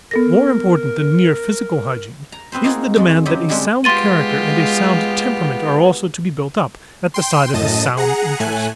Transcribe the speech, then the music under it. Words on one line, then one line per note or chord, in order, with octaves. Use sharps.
More important than mere physical hygiene is the demand that a sound character and a sound temperament are also to be built up, at the side of a sound interest.
B3 A4 A#4 A#6
A#5
B3 C4 B4 C5
A#3 D#4 F4 G#4 F#5
F2 G#3
C#3 F#3 C4 G4 D#5 B5
D3 G3 G#3 C4 D4 G4
G#3 B3 F4 G4 C6 A6 D#7
G5 C6
F#2 A2 D#5 A5 D#7
G#4 F#5 A#5
A2 A3 G#5 F#6